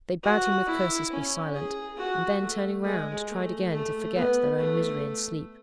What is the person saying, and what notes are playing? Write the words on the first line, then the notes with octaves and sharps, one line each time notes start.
They bade him with curses be silent; and then turning round, tried again to forget their own misery in sleep.
F#4
E4
C#4
G#4
F#4
A3
G#3
A3
A3
B3
A3